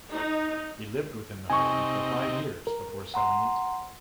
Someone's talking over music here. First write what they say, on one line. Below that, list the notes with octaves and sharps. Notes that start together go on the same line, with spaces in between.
He lived within the home for five years before selling it.
D#4
C3 D#4 G#5 C#6
A#4
F#5 A#5 C6